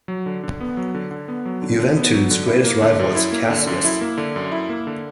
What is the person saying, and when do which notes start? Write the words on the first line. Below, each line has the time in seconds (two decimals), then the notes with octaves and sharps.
Juventude's greatest rival is Caxias.
0.08 F#3
0.26 D3
0.43 D3
0.60 B3
0.77 F#3
0.95 D3
1.11 D3
1.28 B3
1.45 F#3
1.62 D3
1.79 D3
1.97 B3
2.13 F#3
2.31 D3
2.47 E4
2.64 A#3
2.82 D3
2.99 F#2
3.15 E4
3.32 A#3
3.50 D3
3.67 F#2
3.85 E4
4.01 A#3
4.18 D3
4.36 F#2
4.52 E4
4.69 A#3
4.87 D3